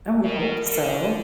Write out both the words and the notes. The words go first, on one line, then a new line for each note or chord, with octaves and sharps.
I would hope so.
B2 A#4
D3